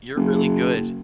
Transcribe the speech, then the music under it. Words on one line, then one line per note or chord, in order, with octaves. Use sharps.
You're really good.
F#1